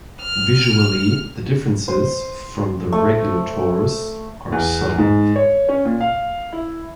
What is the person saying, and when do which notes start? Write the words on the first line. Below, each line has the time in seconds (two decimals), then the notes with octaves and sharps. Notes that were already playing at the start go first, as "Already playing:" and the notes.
Visually, the differences from the regular Taurus are subtle.
0.21 F6
1.88 C5
2.92 A3
4.52 E2
4.98 G#2
5.36 C#5
5.69 C#4
5.85 A#2
6.00 F5
6.53 E4